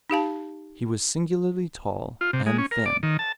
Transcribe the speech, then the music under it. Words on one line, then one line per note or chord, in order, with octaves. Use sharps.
He was singularly tall and thin.
D#4 G4 F5 A5
F4
C3
G#3
C#4
A#4
D5
D#3
A5